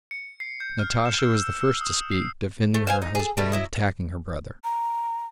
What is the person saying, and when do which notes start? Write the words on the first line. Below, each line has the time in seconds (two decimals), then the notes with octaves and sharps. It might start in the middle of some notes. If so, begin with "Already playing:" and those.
Natasha was the first to speak, defending her husband and attacking her brother.
0.11 C#7
0.40 C7
0.60 G6
0.79 F6
1.05 E7
1.19 E6
1.35 E6
1.61 E6
1.81 D#6
2.12 C7
2.74 A3
2.87 C5 F5 G#5
3.02 D#4
3.15 G#4 A4
3.37 B2 G3 A3
3.52 F#3 E4 D#5
4.64 A#5